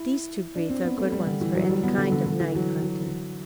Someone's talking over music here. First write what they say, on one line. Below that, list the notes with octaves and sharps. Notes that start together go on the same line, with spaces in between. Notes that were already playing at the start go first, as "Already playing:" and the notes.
These two breeds are good ones for any kind of night hunting.
Already playing: E4
D4
C4
B3
A3
G3
D3
E3
F#3
G3
B3
D3
D3
D3
E3
F#3
F#3